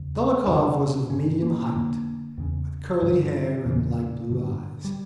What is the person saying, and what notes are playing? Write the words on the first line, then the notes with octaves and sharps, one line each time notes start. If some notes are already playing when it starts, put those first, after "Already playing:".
Dolokhov was of medium height, with curly hair and light-blue eyes.
Already playing: E2 C#3
F2 C#3 D4
G2 D3 C#4
A#3
F2 D3 A#3
E2 C#3
G2 D3
E2 C#3 E3
G2 D3
G3